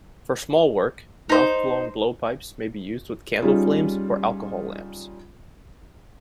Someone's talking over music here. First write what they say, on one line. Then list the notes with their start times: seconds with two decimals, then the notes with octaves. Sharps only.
For small work, mouth-blown blowpipes may be used with candle flames or alcohol lamps.
1.29 D#4 C5
3.41 G3 C#4 D#4 F4 G#4